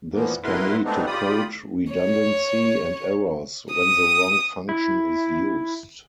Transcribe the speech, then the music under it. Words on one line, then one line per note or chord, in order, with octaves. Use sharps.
This can lead to code redundancy and errors when the wrong function is used.
A#2 E3 F3 A#3 B3
G2 B3 E4 A#4 B4 C6
G#3 A3 B3 C4 D4 D#4
F4 G4 D5 B5 D#6
C#5
D#6
E4